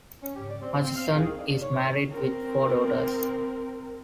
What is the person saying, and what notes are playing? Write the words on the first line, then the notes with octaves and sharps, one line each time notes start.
Hutchison is married with four daughters.
C#4
G4
D5
C4
C4
F5
G#4
D#3
D4
C#5
D#3
C4 A#4